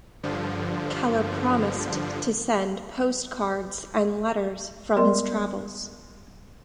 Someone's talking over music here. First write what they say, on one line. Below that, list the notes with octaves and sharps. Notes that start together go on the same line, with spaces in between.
Kellar promised to send postcards and letters from his travels.
G2 D3 F3
G3 G#3 B3 A#4 D5 C6